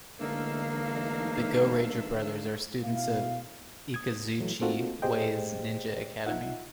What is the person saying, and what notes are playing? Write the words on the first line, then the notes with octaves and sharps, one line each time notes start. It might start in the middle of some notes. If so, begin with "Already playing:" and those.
The Gouraiger brothers are students of Ikazuchi Way's Ninja Academy.
E1 D3 E3 A3 A#3 D#4 F5 E6
B2 E4 F5
D#6 G#6
A#2 E3 F#3 A3
A#3 C4 D#4 F4 F#4 A4
A#2 G4 G#4 C5 D#5 G5
D#4 F4 E5 F#5